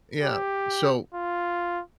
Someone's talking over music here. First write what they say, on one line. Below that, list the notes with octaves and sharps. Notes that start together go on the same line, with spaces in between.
Yeah, so
G4
F4